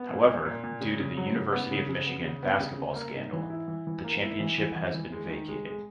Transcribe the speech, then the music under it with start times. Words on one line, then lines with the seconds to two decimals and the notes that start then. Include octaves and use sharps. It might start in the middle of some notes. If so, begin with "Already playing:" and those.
However, due to the University of Michigan basketball scandal the championship has been vacated.
Already playing: B3
0.09 A#2
0.27 A#2
0.45 A#2
0.64 A#2
0.81 C#3
0.99 C#3
1.17 F#3
1.35 C#3
1.53 B3
1.71 C#3
1.89 C#3
2.06 B3
2.24 C#3
2.43 B3
2.60 C#3
2.79 C#3
2.96 A#3
3.14 G#2
3.33 E3
3.50 E4
3.68 E3
3.87 E3
4.04 A#3
4.22 E4
4.40 E3
4.58 E3
4.76 E3
4.94 E3
5.12 G#3
5.30 D#3
5.48 G#3
5.66 G#3